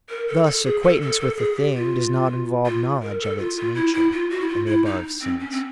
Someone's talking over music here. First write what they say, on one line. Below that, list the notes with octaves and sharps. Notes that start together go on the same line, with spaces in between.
Thus, acquaintance with a thing does not involve knowledge of its 'nature' in the above sense.
A#4
A4
A4
G#4
A4
A4
A4
G#4
G4
F4
F4
A#4
A4
F4
F4
E4
E4
F4
F#4
E4
F4
E4
D#4
C4
C#4
C4